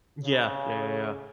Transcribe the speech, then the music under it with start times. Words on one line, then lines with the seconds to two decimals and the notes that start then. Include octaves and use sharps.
Yeah. Yeah, yeah, yeah.
0.23 C#3